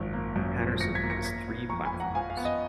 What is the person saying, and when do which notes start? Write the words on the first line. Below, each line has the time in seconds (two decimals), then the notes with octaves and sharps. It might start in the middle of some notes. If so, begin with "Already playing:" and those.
Patterson has three platforms.
Already playing: G#1 F#2 F3
0.13 A#3
0.36 F#2
0.58 F3
0.80 G#1 A#6 C#7
0.95 G#6 B6
1.03 A#3
1.10 A#6 C#7
1.25 F3 G#6 B6
1.48 B3
1.69 F2 A#5 C#6
1.85 G#5 B5
1.93 F2
2.00 F#5 A#5
2.15 F3 F5 G#5
2.30 F5
2.37 B3
2.45 D#5